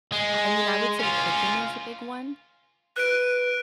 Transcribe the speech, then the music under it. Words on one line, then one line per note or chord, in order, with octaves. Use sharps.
I I mean, I would say cooking is the big one
G#3
C#4 F4
B4 F#6 D7